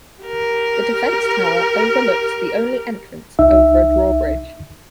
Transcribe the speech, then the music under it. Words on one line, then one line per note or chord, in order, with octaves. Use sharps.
The defence tower overlooked the only entrance over a drawbridge.
G4 A#4
C2 D#4 E5